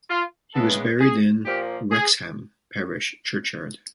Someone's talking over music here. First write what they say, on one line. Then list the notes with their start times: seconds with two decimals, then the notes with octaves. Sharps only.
He is buried in Wrexham Parish Churchyard.
0.09 F4
0.54 C#3 E3 G#3 B3 A4
1.00 G#4
1.45 A#2 F3 A#3 G4
1.91 G#4